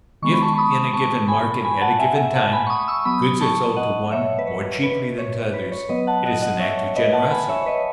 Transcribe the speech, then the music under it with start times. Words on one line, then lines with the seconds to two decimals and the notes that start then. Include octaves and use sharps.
If, in a given market at a given time, goods are sold to one more cheaply than to others, it is an act of generosity.
0.22 D#3 G#3 B3 C#6
0.32 B5
0.42 A5 C#6
0.54 C#6
0.57 B5 D#6
0.93 A5 C#6
1.28 G#5 B5
1.65 G#5 B5
1.81 F#5 A5
1.99 E5 G#5
2.17 E5 G#5
2.35 F#5 A5
2.53 G#5 B5
2.67 C#6
2.70 B5 D#6
2.88 C#6 E6
3.05 F#3 B3 B5 D#6
3.41 A5 C#6
3.76 D#5 F#5
4.12 C#5 E5
4.38 B4
4.47 C#5
4.83 B4
5.19 C#5
5.54 B4
5.72 C#5
5.89 F#3 B3 B4 D#5
6.07 F#5 A5
6.25 D#5 F#5
6.42 D#5 F#5
6.60 C#5 E5
6.78 C#5
6.96 B4 D#5
7.13 F#5 A5
7.31 G#5 B5
7.49 C#5 E5
7.62 C#5
7.66 B4 D#5